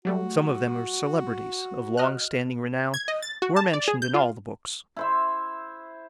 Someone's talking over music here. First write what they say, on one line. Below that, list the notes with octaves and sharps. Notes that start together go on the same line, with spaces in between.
Some of them are celebrities of long-standing renown, who are mentioned in all the books.
F#3 G3 A3 F#4
D#5 F6 F#6
G#6
D#5
A6
F#4
A5
D5
G#4
G6
F4
E4 C5 E5